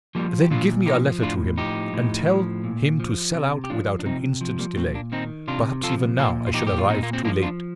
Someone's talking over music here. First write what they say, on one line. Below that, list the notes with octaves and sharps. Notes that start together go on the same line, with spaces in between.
"Then give me a letter to him, and tell him to sell out without an instant's delay, perhaps even now I shall arrive too late."
F3 G3 A#3
G4
A#2 D4 F4
F3 D#4 G4
A2 D4 F4
F3 D#4 G4
A2
F3
A#2
F3
C3
G4
F3 D4 F4
D4
C3 C4 D#4
F3
G3 A#3
A#2 A3 C4
A#3 D4
D#3 C4 D#4
C3 D4 F4
F3 F4 A4
A#2 F4 A4
F4
F3 D#4 G4
G4
F4
A#2 C4 D#4
A#3
C4
F3 A#3 D4
D4 F4